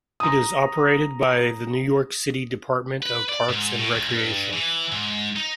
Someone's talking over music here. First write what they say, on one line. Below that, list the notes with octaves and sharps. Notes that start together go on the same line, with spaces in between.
It is operated by the New York City Department of Parks and Recreation.
A#5 D#6
B4
D5
G#2
A2
C#2
G2
E3
G#2
D#4